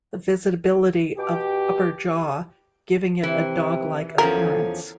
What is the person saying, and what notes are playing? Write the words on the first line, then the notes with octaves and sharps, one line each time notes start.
The visibility of upper jaw, giving it a dog-like appearance.
B2 G4 G5 D6
C3 E3
E2 F3 C#4 A4 A#4